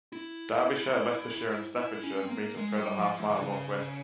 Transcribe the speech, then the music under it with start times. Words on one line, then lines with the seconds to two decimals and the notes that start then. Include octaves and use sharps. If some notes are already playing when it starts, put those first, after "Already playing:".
Derbyshire, Leicestershire, and Staffordshire meet a further half-mile northwest.
0.13 E4
1.76 E4
2.03 C#4
2.23 C4
2.30 A#3
2.57 G#3
2.77 G3
2.98 F3
3.18 E3
3.30 E3
3.38 C#3